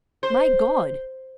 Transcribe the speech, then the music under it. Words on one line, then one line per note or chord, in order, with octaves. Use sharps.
My God!
C5